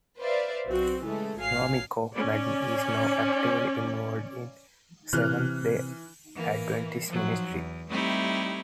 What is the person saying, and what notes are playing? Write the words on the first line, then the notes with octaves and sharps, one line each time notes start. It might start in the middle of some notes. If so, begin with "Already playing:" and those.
Nwamiko Madden is now actively involved in Seventh-day Adventist ministry.
B4 C5 D5 E5 F5
B1 C4 F#4
C#3 E3 G#3 A3
A1 F#3 F5 G#5 F6 C7
C#4 D5
C3 E3 F6 F#6
E3 A#3
F3 F#3
E2
G3 A3 C4 D#4 E4 G4